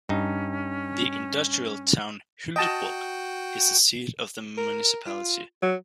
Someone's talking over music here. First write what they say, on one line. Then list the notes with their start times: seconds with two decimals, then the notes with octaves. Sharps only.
The industrial town Hyltebruk is the seat of the municipality.
0.09 G2 C#4 D#4
2.56 F#4 D#5 G5 A5
4.58 A#4
5.06 F4
5.62 F#3